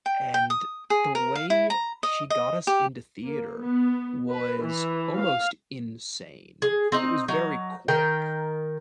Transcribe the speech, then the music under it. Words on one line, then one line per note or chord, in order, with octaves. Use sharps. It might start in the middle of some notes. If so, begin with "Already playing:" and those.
and the way she got us into theater was almost insane. It was very quick.
G5
G5
D#6
G#4
A#4
F5
E4
A#5
D#5
D#5
G4
A#3
B3
B4
E3
F5
G#4
C4 D#4 D#5
F#3 D#4
D#3 A#4 G5